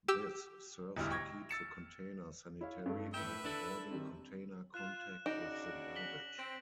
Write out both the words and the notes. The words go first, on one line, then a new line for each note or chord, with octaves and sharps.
This serves to keep the container sanitary by avoiding container contact with the garbage.
G4 E6
E1 D2 G#2 G3 E4 F6
G5 C#6 G#6 A#6
E6 A6 C#7 E7
E4 C#5 F5
G2 A3
A2 B4 E5 G5 E7
D4 E4 A4
D#3 G3 C4
F4 F#6 E7
C#3 D4 D#4 F#4 A#6 D7 E7
B6 F#7 G7
C4 A#6 D7